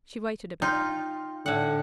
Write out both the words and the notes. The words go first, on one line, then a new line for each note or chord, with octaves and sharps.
'She waited a bit.
D#4 F4 G5 C6 G6
A2 D3 F#5 G5